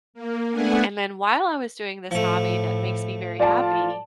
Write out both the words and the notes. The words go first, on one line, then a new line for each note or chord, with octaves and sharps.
And then while I was doing this hobby that makes me very happy
A#3
A3 B3 D4 F#5 G#5
A2 F3 A3
F4 D5 A5